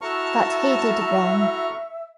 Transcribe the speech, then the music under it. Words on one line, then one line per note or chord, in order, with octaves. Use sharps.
But he did wrong.
E4 F#4 A4 E5 A5 A#5 C#6 F6